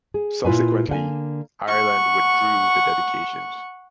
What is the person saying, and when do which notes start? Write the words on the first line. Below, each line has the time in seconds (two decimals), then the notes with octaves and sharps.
Subsequently, Ireland withdrew the dedications.
0.14 G#4
0.45 A#2 E4 F4 B4 G#5
0.89 D3 A#3 F#5 G#5
1.68 F#5 C#6